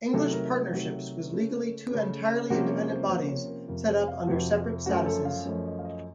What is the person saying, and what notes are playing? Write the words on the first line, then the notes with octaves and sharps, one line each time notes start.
English Partnerships was legally two entirely independent bodies set up under separate statutes.
C3 D#3 F#3 A3 A4
A#4
C3 D#3 F#3 A3 F#4
C#3 A3 C#4
C#3 A3 C#4
C3 F3 A#3 C#4 F#4
C#5
C5
C3 F3 A#3 C#4 C5
C#5
A#4
F2 C3 F3 A#4
C5
F5
F2 C3 F3 F#4
F#2 F3 A3 C#4 F#4
A4
F5
F#2 F3 A3 C#4 D#5
D#5
F5
D#5